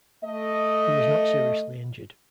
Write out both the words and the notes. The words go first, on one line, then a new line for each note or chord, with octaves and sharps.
He was not seriously injured.
A3 D#5